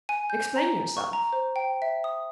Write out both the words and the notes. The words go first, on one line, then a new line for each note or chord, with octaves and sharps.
"Explain yourself."
G#5
G6
A#5
C#6
A#5
C5
G5
E5
D#6